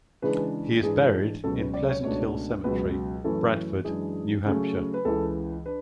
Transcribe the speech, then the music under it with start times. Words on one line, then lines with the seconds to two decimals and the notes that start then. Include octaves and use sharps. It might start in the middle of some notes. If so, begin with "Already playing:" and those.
He is buried in Pleasant Hill Cemetery, Bradford, New Hampshire.
0.22 C#3 E3 G#3 D4 B4
0.83 G#2 E3 G#3 D4 G#4
1.43 C#2 B2 F#3 C#4 A4
1.58 B4
1.74 D5
1.89 C#5
2.04 C#2 B2 A3 D4 C#5
2.64 C#2 B2 F#3 B4
3.24 F#2 E3 A3 C#4 A4
3.84 F#2 E3 G#3 D4 G#4
4.46 C#3 F#3 A3 C#4
4.94 B4
5.05 C#2 C#3 E3 A4
5.66 D4 B4